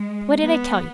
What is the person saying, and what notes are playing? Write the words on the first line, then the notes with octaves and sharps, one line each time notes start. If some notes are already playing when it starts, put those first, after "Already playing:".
What did I tell you?
Already playing: G#3
B3